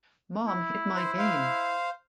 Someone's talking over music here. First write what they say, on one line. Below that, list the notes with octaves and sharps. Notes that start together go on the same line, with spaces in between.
Mom Hid My Game!
E4
C5
C5 F5